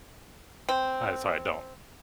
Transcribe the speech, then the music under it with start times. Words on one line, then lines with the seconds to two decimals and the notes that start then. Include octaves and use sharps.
Alright, sorry, I don't.
0.69 C4